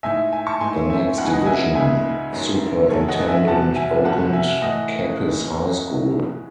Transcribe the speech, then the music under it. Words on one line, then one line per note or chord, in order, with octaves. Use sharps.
The next division superintendent opened Capiz High School.
A2 G#3 D#4 E5 G#5
E5 G#5
A5 C#6
A2 G#3 D#4 G#5 C6
E5 G#5
C#2 C#3 G#3 D#4 F#5
G#5
D#5 F#5
E5 G#5
C#2 C#3 G#3 D#4 E5 G#5
F#2 D#3 G#3 C#4
F#2 D#3 G#3 C#4 A4 C#5
D#5 F#5
E5 G#5
C2 C3 F#3 F#5 A5
E5 G#5
C2 C3 F#3 F#5 A5
E5 G#5
A2 E3 A3 D#5 F#5